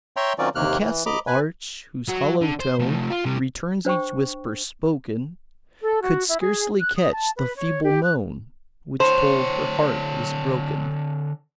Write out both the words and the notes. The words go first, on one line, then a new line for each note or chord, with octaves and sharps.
The castle-arch, whose hollow tone Returns each whisper spoken, Could scarcely catch the feeble moan Which told her heart was broken.
C#5 E5 G5 A#5 C6
D#3 F#3 C4 C#4 F4 D5
D#2 C3 D#3 A#3 F6 F#6
E3
D#5 A#5 B5 D6
B4 G#5
F#3 F#4
D3
C5
C3 A3
F4
C3 G3
D4 C5 G5 C#6
A4
F#4
E4
G#4
F#6
D#6
A5
B4
C#5
G4
F#6
D3 C5 C#5